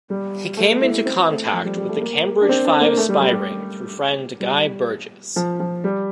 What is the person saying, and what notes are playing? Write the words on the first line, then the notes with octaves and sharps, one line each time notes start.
He came into contact with the Cambridge Five spy ring through friend Guy Burgess.
G3
A3
E4
C4
A3
F3
G3
G3
A3
A#3
D4
C4
D4
A#3
A3
G3
G3
G3
G3
F3
F3
G3